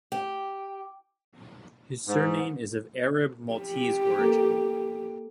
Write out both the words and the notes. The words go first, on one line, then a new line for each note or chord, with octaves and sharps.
His surname is of Arab Maltese origin.
G4
G#2
G4
A#3 A4 A#4